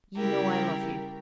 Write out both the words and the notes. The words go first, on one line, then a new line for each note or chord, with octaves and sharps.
"You know I love you."
C#3 G3 E4 G4 A#4